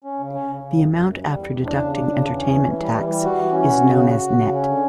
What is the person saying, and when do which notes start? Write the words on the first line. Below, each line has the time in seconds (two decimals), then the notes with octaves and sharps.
The amount after deducting entertainment tax is known as nett.
0.04 C#4
0.19 C#3
0.34 C#4
0.49 C#3
0.63 C#3
0.77 F#2
0.91 F#2
1.07 F#2
1.21 G3
1.35 E2
1.50 E2
1.64 D4
1.79 C#3
1.92 D4
2.08 C#3
2.21 E2
2.37 C#4
2.50 E3
2.65 E3
2.80 G3
2.95 E3
3.09 G3
3.24 F#4
3.38 E3
3.52 C#4
3.67 F#4
3.81 C#3
3.96 F#4
4.10 F#4
4.24 C#3
4.39 C#3
4.54 C#4
4.69 D3